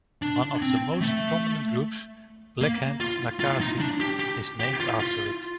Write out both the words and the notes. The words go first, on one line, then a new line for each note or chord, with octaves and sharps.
One of the most prominent groups, Blackhand Nakasi, is named after it.
D4
C4
A3
A#3
F4
F4
D#4
D4
G4
G4
G4
F4
F4